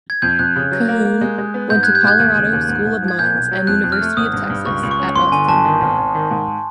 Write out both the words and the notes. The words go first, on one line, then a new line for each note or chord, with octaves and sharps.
Cahoon went to Colorado School of Mines and University of Texas at Austin.
G#6
F2 G6
F2 F#6 G#6
C#3
F#3
A#3
A#3
G#3
G#3
B3
G#2 G6
F#6 G#6
G3
G6
G#2 F#6 G#6
D#2
C#3
D#2
G#2
G#2
F3
G#6
A#2 G6
B1
F#3
F2 F#6
F2
F6
A3
G#1 D#6
G2
G2
C#2 C#6
C#2
C#6
C#4
G1 C6
D3 G#5
G1 A5
D#3
G#1
G#1
D#3
G#2